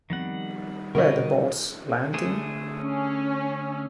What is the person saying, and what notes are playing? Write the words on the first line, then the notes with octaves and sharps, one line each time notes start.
Were the boats landing?
D#3 F3 G3 B3 C4 F#5
B2 D3 A#4 C#5 D#5
D3 A3 G#4
C#4